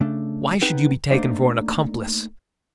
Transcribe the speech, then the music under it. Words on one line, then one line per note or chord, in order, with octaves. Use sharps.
"Why should you be taken for an accomplice?"
C#3 A3 D4
B3 C4 D#4 G#4 B4 G5
A3 A#3 D4 D#4 C5 D5